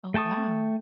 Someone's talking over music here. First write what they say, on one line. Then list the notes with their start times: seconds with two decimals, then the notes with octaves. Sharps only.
Oh, wow.
0.14 A3 G5 A5 C#6 D#6